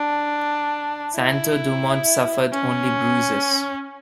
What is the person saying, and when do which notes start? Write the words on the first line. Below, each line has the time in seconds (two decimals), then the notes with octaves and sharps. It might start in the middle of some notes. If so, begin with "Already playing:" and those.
Santo-Dumont suffered only bruises.
Already playing: D4
1.16 E4
2.53 C#4